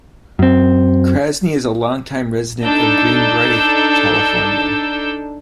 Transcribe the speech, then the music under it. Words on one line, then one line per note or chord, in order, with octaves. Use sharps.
Krasny is a long-time resident of Greenbrae, California.
F#2 C4
D4 D#4 A4 E6 G6